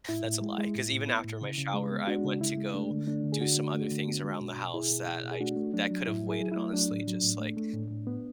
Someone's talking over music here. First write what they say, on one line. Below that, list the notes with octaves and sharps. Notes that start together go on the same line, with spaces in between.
that's a lie, 'cause even after my shower, I went to go do some other things around the house that I that could have waited, honestly; Just, like,
A2 E4
A2
G#3
G#3
A2
A2
B3
A2
C#3
C#3
G#3
B3
G#3 D4 F#4
C#3
C#3 E4
G#3
A3 D4
D3
A3 D4
D3
G#4
D3 D4 F#4
A3
A3
D3
B3
G#3
B2
B2
B2 E4 G#4
B2
B2
B2
G#4
A3 D4 F#4
A3
F#3 D4
F#3
A2 E4
F#3
E4 G#4
F#3
A3 E4
F#3 D4
A2
F#3
A2
A3
A3
A2
A2
B3